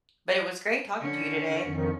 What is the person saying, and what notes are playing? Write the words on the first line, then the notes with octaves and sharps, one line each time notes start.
But it was great talking to you today.
D3 C#4
F2 D#3